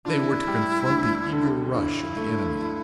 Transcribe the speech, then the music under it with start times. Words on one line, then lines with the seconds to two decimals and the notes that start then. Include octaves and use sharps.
They were to confront the eager rush of the enemy.
0.05 D4 E4 F4
0.47 G3
0.90 D2
1.32 D3
1.74 G2 E4 F4
2.17 A3